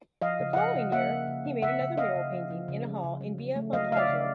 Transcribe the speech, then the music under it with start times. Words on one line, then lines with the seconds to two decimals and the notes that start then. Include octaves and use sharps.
The following year, he made another mural painting in a hall in Via Vantaggio.
0.22 F3 D#5 F5
0.39 C#3
0.53 F#5
0.56 F3 D#5 F5
0.74 C#3
0.92 A#3 E5 F#5
1.09 C#3
1.27 C#3
1.45 C#3
1.62 C#3 E5 F#5
1.81 C#3
1.97 C#3 D#5 F5
2.15 C#3
2.33 F3
2.50 F3
2.68 C#3
2.85 F3
3.04 C#3
3.21 F#3
3.38 C#3
3.56 A3
3.73 F#3 D#5 F5
3.91 C#3 F5
3.97 D5 E5
4.09 C#3